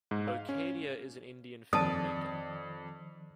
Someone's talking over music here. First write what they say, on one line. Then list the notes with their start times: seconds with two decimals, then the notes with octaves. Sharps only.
Bokadia is an Indian filmmaker.
0.11 G#2
0.27 F5
0.49 C#4
1.73 F2 D#3 F3 D5 A5 D#6